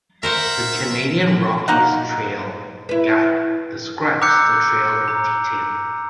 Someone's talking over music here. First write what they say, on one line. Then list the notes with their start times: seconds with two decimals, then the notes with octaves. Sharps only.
"The Canadian Rockies Trail Guide" describes the trail in detail.
0.23 A#4 C5 E5 F#5
1.68 A#3 D#4 F#5
2.89 E4 B4
4.21 A#5 D6 E6 F#6 G6 C#7
5.08 A#5